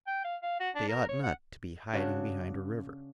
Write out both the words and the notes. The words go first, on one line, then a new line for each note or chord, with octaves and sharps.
They ought not to be hiding behind a river.
G5
F5
F5
F#4
D4
A#4
C#5
F#5
C#3 D4 F#4